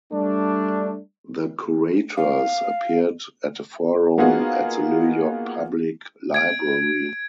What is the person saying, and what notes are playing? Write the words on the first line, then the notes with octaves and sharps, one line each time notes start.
The curators appeared at a forum at the New York Public Library.
G3 A3 D4
F5
A#3 B3 D#4 F4 F#4 G#4
G#6 D7